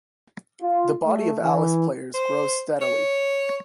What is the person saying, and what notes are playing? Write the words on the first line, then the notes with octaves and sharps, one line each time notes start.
The body of Alice players grows steadily.
F4
A3
E3
C5
C#5